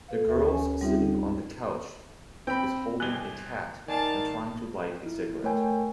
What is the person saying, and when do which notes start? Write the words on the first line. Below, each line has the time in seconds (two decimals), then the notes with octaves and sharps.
The girls sitting on the couch is holding a cat and trying to light a cigarette.
0.08 A4 B4 F5
0.26 D2 A#4 E5 G5
0.48 C#4 G4 C#5 G#5
0.81 G3 C4 D#4 F4 G4 E5
2.47 C4 G5 B5
3.00 C2 G#5 F#6 G7
3.88 D#3 D5 F5 G#5 A5
5.06 E4
5.44 A3 A#4 C#5 G5 G#5